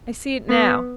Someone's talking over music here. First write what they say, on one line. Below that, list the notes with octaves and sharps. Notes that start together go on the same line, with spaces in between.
I see it now.
B3